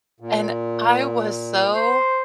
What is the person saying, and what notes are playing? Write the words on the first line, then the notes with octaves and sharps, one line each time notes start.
and I was so
A#2
C5